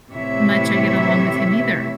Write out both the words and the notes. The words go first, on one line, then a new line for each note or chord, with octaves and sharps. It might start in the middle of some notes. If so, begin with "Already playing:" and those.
much I get along with him either.
A2 C3 E3 E4 C#5 E5